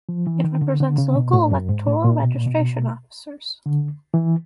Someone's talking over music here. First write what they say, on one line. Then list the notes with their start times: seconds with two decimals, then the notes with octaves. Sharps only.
It represents local electoral registration officers.
0.09 F3
0.27 E3
0.44 D#3
0.62 D3
0.80 D3
0.98 C#3
1.16 B2
1.33 A2
1.52 F#2
1.69 G#2
1.87 A2
2.04 A#2
2.23 B2
2.34 A#2
2.46 B2
3.66 D3
4.14 E3